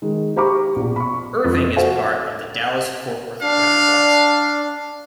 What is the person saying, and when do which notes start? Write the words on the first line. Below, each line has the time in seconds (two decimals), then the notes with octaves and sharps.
Irving is part of the Dallas-Fort Worth metroplex.
0.02 D#3 G#3
0.36 G4 C5 A#5 B5 C#6 D6
0.76 A#1 B2
0.96 B5 C#6
1.44 F2 F3
1.76 F#4 A4 C5 F5 F#5 G#5
3.42 D4 F5